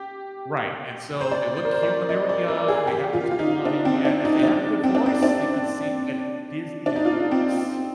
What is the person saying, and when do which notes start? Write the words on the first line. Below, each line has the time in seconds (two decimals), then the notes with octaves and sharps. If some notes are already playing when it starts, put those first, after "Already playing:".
Right, and, so, they looked cute when they were young, they had personality, and if they had a good voice, they could sing a Disney voice.
Already playing: G4
1.21 C5
1.31 D5
1.57 C5
1.65 A#4
1.72 C5
1.83 D5
2.09 D#5
2.29 D5
2.48 A#4
2.68 G#4
2.87 G4
3.04 G4
3.13 F4
3.31 F4
3.39 D#4
3.65 D4
3.85 C4
4.05 D4
4.25 D#4
4.39 D#4
4.43 D4
4.84 C4
4.95 D4
5.06 C4
5.23 D4
6.86 D4
6.96 D#4
7.05 F4
7.31 C4
7.57 C4